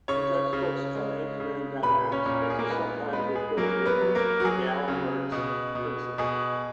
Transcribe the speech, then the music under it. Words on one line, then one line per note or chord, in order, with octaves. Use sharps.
In textbooks of engineering dynamics this is sometimes referred to as "d'Alembert's principle".
C#3 C#5 C#6
C#3
G#3
C#3
A#2 B4 B5
C#4 C#5
A#2
A#4
G#4
A#3 A#4
G#3 B3 B4
G#3 B3 B4
G#4
F#3 A#3 A#4
B3 B4
F#3
A#3 A#4
F#4
F#3 G#4
C#3
B2
B2
B2 G#4